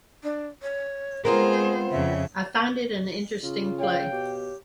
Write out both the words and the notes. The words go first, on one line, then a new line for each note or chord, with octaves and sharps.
I find it an interesting play.
D4
C#5
G#3 B3 C4 F4 G#4 A#4 C5
F2 C#3 E5
C#3 F4
C#5 F5 G5
B2 G4